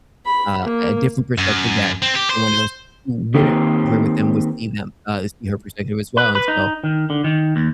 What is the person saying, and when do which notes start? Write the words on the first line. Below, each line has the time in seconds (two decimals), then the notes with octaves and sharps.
uh, a different perspective that someone else who wouldn't agree with them would see them uh, see her perspective as well. And so,
0.26 B5
0.65 A#3
1.38 F#2
2.02 C4
2.15 G4
2.30 C5
3.34 D#3 A#3 C4 D#4 G4
6.17 B4
6.35 B4
6.48 D#4
6.84 D#3
7.10 D3
7.24 D#3
7.56 D#2